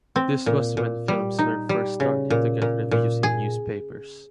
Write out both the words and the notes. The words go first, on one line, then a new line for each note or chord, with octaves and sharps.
This was when films were first starting to get reviews in newspapers.
C4
A#2
A#2
G3
D#4
G3
C#3
A#2
A#2
A#2
G#4